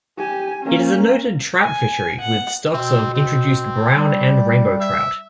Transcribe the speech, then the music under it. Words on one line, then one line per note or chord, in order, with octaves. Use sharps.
It is a noted trout fishery with stocks of introduced brown and rainbow trout.
G4 G#5
A#3 C#4
G#5
F#5
B2 C4
C4
G3
E5